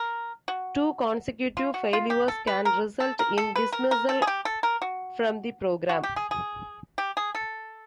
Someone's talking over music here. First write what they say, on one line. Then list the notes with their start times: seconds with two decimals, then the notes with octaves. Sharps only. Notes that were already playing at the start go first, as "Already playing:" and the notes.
Two consecutive failures can result in dismissal from the program.
Already playing: A#4
0.48 F#4
1.57 F4
1.74 F#4
1.93 F4
2.10 G4
2.28 A4
2.47 B4
2.65 A#4
3.00 A4
3.19 A#4
3.38 A4
3.56 B4
3.72 A#4
3.91 A#4
4.09 A4
4.22 G#4
4.27 G4
4.45 A4
4.63 A#4
4.82 F#4
5.89 F#4
6.03 G4
6.16 G#4
6.31 G#4
6.98 G4
7.17 G#4
7.35 A4